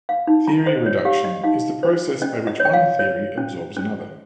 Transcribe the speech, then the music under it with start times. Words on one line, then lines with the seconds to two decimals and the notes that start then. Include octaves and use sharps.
Theory reduction is the process by which one theory absorbs another.
0.09 F5
0.27 D#4
0.47 A#5
0.66 C5 D#5
0.86 C#5
1.05 G4 F5
1.25 D#5
1.44 D#4 F5
1.83 C5
2.22 C#4 D#5
2.47 D#5
2.60 C#5
2.65 G5
2.73 F5
2.99 C#5
3.38 C#4
3.77 C#4